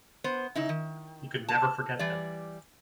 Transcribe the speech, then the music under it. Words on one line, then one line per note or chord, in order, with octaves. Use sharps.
He could never forget them.
B3 C5
C#3 D#4 E4
D#3
A5
E3 G3 D5